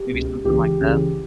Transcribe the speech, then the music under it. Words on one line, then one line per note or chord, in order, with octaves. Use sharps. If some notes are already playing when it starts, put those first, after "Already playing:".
maybe something like that?
Already playing: G4
C#2 B2
C#2 C#3 E3 G4
C#2 C#3 E3